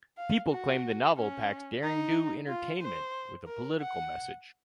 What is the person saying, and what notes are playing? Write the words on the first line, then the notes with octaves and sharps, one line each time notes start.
People claimed the novel packs derring-do entertainment with a political message.
F5
F#4
C#4
D#4
F4
C5
A#4
F#5